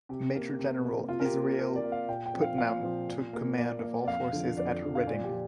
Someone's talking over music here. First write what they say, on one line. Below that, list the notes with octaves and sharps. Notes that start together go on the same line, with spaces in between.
Major General Israel Putnam took command of all forces at Redding.
C3 G4
A#3
C3
A#3
C3 F4
A#4
G4
A#3
C3 A#4
D5
A#3
F5
A#2 G5
G5
F3 C4
F5
A#2 F5
F3 C4
A#2
A#3
A#2 D5
A#3
D5
F2 F5
D3 F3
F2 D5
D3 F3
F5
A#2 D5
G4
F3